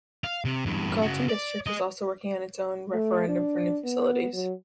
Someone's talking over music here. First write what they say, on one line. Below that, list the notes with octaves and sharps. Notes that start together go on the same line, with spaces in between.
The Carlton district was also working on its own referendum for new facilities.
F5
C3
E2 G2
C#3 F#4
D5
G#4 D#5
A3
D4
B3
F#3